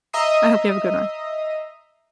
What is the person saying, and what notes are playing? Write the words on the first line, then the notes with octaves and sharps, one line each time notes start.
I hope you have a good one.
D#5 E5 A#5 D#6 C7